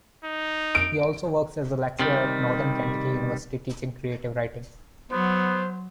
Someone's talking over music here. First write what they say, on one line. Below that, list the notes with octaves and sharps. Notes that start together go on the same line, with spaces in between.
He also works as a lecturer at Northern Kentucky University, teaching creative writing.
D#4
D7
C3 D#3 G3
F#3 B3 C5